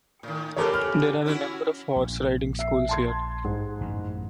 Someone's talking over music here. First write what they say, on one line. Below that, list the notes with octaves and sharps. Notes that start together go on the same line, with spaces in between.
There are a number of horse riding schools here.
A2 D#3
C#3 E3 G4 A4 A#4 C#5
F6
C#4 E4 F#4
A#1
E5 C7
A5 C6 G#6
G#2
A1 F#2